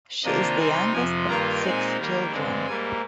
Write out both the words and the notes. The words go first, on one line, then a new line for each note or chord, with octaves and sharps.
She is the youngest of six children.
C3 D#3 A#3 D4 F4 D#5
C3 G3 C4 D#4 G#5
F2 C3 F3 G#5
G2 D#3 A#3 F4 A#5
A#2 G#3 C4 D#4 G#5
D#3 G3 A#3
G2 D3 G#3 C4
G#2 G3 A#3 G#5